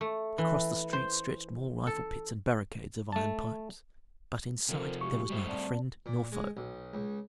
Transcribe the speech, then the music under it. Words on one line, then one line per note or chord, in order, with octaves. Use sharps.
Across the street stretched more rifle-pits and barricades of iron pipes, but in sight there was neither friend nor foe.
A3
E3
C5
A4
A3 A5
C3 F3 A4 A#4 C5
G#3 F#4 G4 C#6
G3 A3 C5
C4 D5 A5
A#2
G#3
B1
C#2